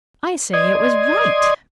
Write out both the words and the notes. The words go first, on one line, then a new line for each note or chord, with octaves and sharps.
'I say it was right.
D5 D#5 C6 D#6 G#6